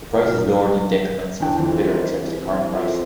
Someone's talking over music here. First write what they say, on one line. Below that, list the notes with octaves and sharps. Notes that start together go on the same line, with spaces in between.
The price is lowered in decrements until a bidder accepts the current price.
A#4
E2 D4 G5
F2 E3
C2
F2